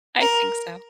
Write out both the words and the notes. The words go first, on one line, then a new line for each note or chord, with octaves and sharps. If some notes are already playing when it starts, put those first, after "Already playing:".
I think so.
A#4